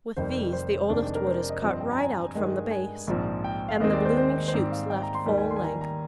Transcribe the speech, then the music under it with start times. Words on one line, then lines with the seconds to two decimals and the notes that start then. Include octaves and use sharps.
With these the oldest wood is cut right out from the base, and the blooming shoots left full length.
0.17 F1 F2 D#3 G3 C5
0.53 C5
0.89 F1 F2 D#3 G#3 D4
1.15 A#4
1.27 C5
1.38 D5
1.49 D#5
1.62 G2 F3 C4 D#5
1.81 G5
1.91 A#5
1.99 G#5
2.35 G2 D#3 G#3
2.71 G#5
3.07 A#1 G#2 F3 C4
3.44 G5
3.68 F5
3.80 D#2 D#3 G#3 C4 D#5
3.93 D5
4.05 C5
4.17 C5
4.48 C5
4.53 G#2 G3 C4 D5
4.72 F5
4.90 G5
5.02 A#5
5.15 C6
5.26 D#2 D#3 G3
5.38 G#5
5.50 C6
5.56 G#5
5.63 A#5
5.81 A#5